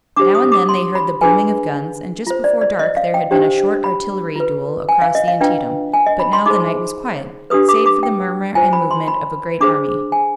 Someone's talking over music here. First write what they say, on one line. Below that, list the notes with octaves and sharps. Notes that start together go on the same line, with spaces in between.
Now and then they heard the booming of guns, and just before dark there had been a short artillery duel across the Antietam, but now the night was quiet, save for the murmur and movement of a great army.
D4 G4 C5 D6
D#6
D6
C6
B5
D4 G#4 B4 G#5
F4 C5
D5
D5
D#5
F5
G5
D4 G4 C5 G5
B5
F4 B4
G#5
F5
D#5
F5
D4 F4 B4 G5
G#5
D#5
B5
C6
D#4 G#4 C5 D6
D4 G4 B4 D#6
D6
D6
G5
F4 C5 G#5
B5
C6
B5
D4 G#4 C5 D6
G#5